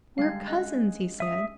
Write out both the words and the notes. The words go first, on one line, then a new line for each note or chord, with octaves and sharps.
"We're cousins!" he said.
D3 G3 G#3 F5 G#6
C#4 D#4 G#4 D#5 F#6 A6
E5 D#6 D#7